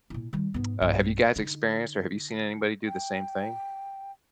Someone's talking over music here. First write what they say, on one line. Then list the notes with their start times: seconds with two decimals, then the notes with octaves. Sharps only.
Uh, have you guys experienced or have you seen anybody do the same thing?
0.10 A#2 E4
0.33 D#3 G3
0.54 G#2 B3
0.81 B1 G2
1.36 D3 D#4
2.87 G5